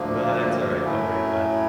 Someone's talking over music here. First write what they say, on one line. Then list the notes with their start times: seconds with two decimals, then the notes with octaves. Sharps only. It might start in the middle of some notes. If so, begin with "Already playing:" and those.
No, that's alright. Don't worry about it.
Already playing: D2 D3 F3 A#3
0.83 A2 F#3 A3 C#4 E4